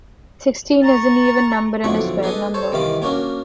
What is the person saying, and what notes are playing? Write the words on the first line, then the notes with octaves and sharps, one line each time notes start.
Sixteen is an even number and a square number.
A#5 C#6 A6
B1 F2 D3 E4 F#5 C#6
D4 G#4 A4 B4 D#5
A4 C5 C#5
C2 D#3 E3 F5 B5 D6
A#3 C#4 D4 F#4 A#4